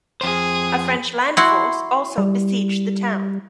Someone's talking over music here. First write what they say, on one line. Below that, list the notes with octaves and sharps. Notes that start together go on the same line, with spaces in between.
A French land force also besieged the town.
F2 G#4 C5
E4 F#4 F#5 C6
G3